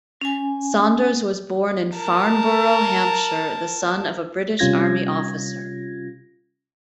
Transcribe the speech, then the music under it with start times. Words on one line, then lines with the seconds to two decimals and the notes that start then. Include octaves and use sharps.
Saunders was born in Farnborough, Hampshire, the son of a British Army officer.
0.21 C#4 G#5
1.96 A#4 A5
4.59 C3 G3 C#4 F4 G#6 A#6